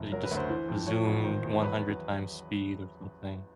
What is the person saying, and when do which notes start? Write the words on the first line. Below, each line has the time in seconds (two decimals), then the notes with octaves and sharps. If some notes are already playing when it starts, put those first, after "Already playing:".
They just zoomed one hundred-times speed or something.
Already playing: F#1
0.12 F#3 A#4
0.24 B4
0.31 D2
0.37 C5
0.49 E3
0.68 F2
0.87 F3 C#5
1.05 A1
1.24 D#3 C5
1.43 E2
1.62 F#3 B4